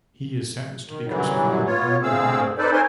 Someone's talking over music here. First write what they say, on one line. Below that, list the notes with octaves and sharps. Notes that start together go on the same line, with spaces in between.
He is sentenced to be crucified and burned alive.
D#3
F#2 D3 E3 F#3 G3
B3 F4 C#5
D3 A3 C4 G#4 F5 E6
C4 D#4 A4 B4 C5 D5
A#4 C5 C#5 G#5 C6